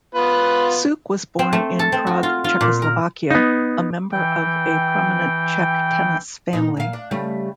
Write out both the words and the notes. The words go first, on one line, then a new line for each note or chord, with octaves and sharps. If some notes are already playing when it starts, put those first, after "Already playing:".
Suk was born in Prague, Czechoslovakia, a member of a prominent Czech tennis family.
B3 F4 B4
C4
A3
A4
C4
F#4
F4
F4
A#2
A#4
B3 D#4
E3 G5
A#2 D#4
A#2 F5
D4
C#3 G3 A3